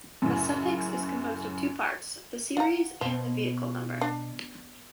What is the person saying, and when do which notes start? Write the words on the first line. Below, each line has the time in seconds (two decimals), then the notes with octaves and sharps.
The suffix is composed of two parts: the series and the vehicle number.
0.22 F#2 A2 C#3
2.57 F4 F#5 A#5
3.01 B2 F3
4.01 D4